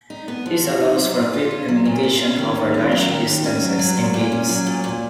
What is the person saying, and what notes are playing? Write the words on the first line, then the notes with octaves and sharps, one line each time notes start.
This allows for quick communication over large distances in games.
D#4
B3
F3
F#4
D#4
F#3
A#2
F4
C#4
F#3
A#2
F4
C#4
D#3
D#2
C#4
F#3
D#3
D#2
C#4
F#3
F#3
A#2
A#2
C#4
F#3
A#2
A#2